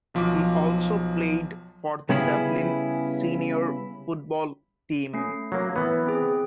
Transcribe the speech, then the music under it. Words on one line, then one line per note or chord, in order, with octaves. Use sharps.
He also played for the Dublin Senior football team.
B1 F3 F#3 D6
C#3 G3 B3 C#4 E4 G#4
A3 C#4 C7
F#3 A#3
E3 B3
C4 G#4